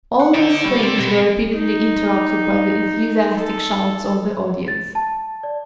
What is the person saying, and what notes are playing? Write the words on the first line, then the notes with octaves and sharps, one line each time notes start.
All these things were repeatedly interrupted by the enthusiastic shouts of the audience.
F#5
D#4 A4 D5
G3 C#4 E4
G3 C4
B2
D#4
A4
A6
A5
D5